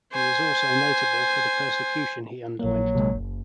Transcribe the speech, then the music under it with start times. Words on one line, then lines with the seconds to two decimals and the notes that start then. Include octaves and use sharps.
He is also notable for the persecution he underwent.
0.13 C5 G#5
2.59 A#1 F#3 A#3
2.95 C3 G3 G#3
3.15 F#1